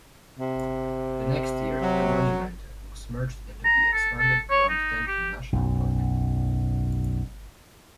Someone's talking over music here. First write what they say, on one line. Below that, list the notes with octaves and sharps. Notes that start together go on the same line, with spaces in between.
The next year the monument was merged into the expanded Grand Teton National Park.
C3
F#3
A#5
A4
A4
C#5
D#4
G4
B1 F#2